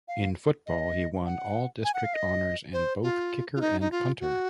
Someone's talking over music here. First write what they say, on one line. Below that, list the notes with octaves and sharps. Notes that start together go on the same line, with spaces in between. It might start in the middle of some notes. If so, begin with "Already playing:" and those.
In football, he won All-District honors at both kicker and punter.
F5
D#5
F#5
G#5
F#5
F5
D#5
C5
F4
F4
D#4
D#4
F4
F#4